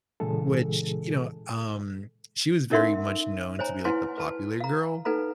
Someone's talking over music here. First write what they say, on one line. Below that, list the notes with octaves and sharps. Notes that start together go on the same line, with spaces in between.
which, you know, um, she was very much known to be, like, the popular girl.
A#2 C#3 E3 G#3 G#4 A4
C#4 D#4 A#4 E5 F#5 C6
C5 C#5 G#5 A#5
E4 B4 F#5 G#5 C6
B4 A5
F5 A#5
D#4 A4 B4 F#5 A#5